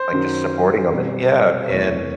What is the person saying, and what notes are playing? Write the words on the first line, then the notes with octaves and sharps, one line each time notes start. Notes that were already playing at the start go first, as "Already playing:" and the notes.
like, just supporting him and yeah. And
Already playing: C5
F#2 D#3 F#3
B2 G3 C4
E2 C3 E3 A3 C#5